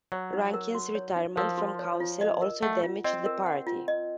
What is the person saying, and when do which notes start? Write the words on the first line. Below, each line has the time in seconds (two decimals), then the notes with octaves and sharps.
Rankin's retirement from council also damaged the party.
0.12 F#3 C#5
0.33 D#4
0.54 A#4
0.75 F#4
0.95 C#5
1.16 D#4
1.37 F3 A#4
1.58 F#4
1.79 C#5
2.00 F4
2.21 D#5
2.42 A#4
2.63 A3 F#5
2.83 F4
3.04 C4 D#5
3.26 A#4
3.46 F#5
3.67 F4
3.88 D#5